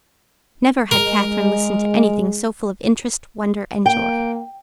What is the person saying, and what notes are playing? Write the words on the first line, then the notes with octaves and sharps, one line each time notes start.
Never had Catherine listened to anything so full of interest, wonder, and joy.
G#3 A#4
A#3 G5